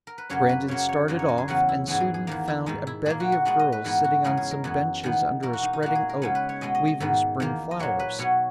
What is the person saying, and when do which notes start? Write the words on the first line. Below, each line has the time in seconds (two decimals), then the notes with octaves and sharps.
Brandon started off and soon found a bevy of girls sitting on some benches under a spreading oak, weaving spring flowers.
0.07 A#4
0.18 B4
0.30 F#2 C#3 F#3 A#3 C#5
0.49 B4
0.68 C#3 F#3 A#3 C#5
0.89 C#5
1.08 F#2 E3 A#3 D#5
1.19 C#5
1.28 A#4
1.38 G#4
1.48 E2 C#3 F#3 B3 F#4
1.69 E4
1.88 G#2 E3 G#3 B3
2.00 G#4
2.14 G#4
2.27 E2 D#3 A#3
2.48 E4
2.66 G#2 D#3 G#3 D#4
2.87 E4
3.06 A#2 A#3 G#4
3.20 F#4
3.32 F#4
3.45 A#2 G#3 B3 F#4
3.59 D#5
3.72 B4
3.85 G#2 E3 B3 A#4
4.04 F#4
4.24 E2 C#3 G#3 B3 A#4
4.37 G#4
4.51 A#4
4.64 F#2 E3 B3
5.03 E2 D#3 G#3 B3
5.43 B2 A#3 A#4
5.53 F#4
5.63 D#4
5.73 D#4
5.83 A#2 A#3 F#4
5.95 G#4
6.09 A#4
6.22 C#3 G#3 B3 C#5
6.35 B4
6.49 C#5
6.61 B2 G#3 B3 D#5
6.75 D#5
6.88 D#5
7.00 G#2 D#3 G#3 B3
7.40 E2 D#3 A#3
7.71 D#5
7.79 A#2 F#3 A#3 C#5
7.99 B4
8.19 B2 F#3 B3 C#5